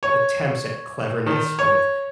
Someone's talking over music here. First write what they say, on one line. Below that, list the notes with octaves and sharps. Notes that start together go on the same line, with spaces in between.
attempts at cleverness would
C#5
D#3
C#5